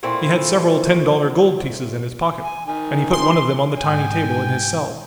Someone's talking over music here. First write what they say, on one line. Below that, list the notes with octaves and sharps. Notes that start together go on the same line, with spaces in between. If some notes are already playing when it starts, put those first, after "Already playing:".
He had several ten dollar gold pieces in his pocket, and he put one of them on the tiny table in his cell.
A#2 A3 C4 E4
G#5
D#3 G#5
C6
G#2 G5 G#5 G#6